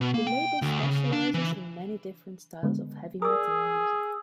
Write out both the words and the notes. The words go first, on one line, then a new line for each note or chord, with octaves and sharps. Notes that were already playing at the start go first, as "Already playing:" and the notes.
The label specializes in many different styles of heavy metal music.
B2
A#3
G5
D2
C#3
D4
E3
D3 G#3 B3
G#4 A#4 D5 D#6 E6